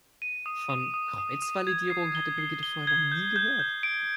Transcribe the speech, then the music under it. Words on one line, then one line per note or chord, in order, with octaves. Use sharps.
Von Kreuzvalidierung hatte Brigitte vorher noch nie gehört.
D#7
D#6
D#6
D#6
D#6
D#6
G#6
C7
G7
C7
G7
G#6
G6
G6
G6
D7